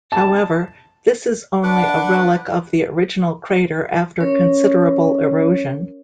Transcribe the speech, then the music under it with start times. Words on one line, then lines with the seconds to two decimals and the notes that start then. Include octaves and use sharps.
However, this is only a relic of the original crater after considerable erosion.
0.12 A5
1.63 D4 B4 F#5 D6
4.20 C#4 A#4 C#5